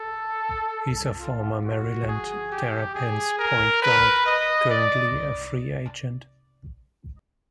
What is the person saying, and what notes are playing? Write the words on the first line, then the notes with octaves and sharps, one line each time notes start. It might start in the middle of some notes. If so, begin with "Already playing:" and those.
He is a former Maryland Terrapins point guard, currently a free agent.
Already playing: A4
F4
F#4
G#4
G4
G#4
A#4
B4
D#5
D5